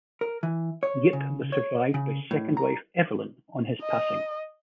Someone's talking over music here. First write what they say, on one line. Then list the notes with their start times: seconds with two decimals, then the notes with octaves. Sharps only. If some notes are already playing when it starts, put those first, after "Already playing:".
Yip was survived by second wife Evelyn on his passing.
0.21 A#4
0.43 E3
0.83 C#5
1.13 C#3
1.52 C#5
1.94 C#3
2.31 A2
2.57 A#5
3.82 D#5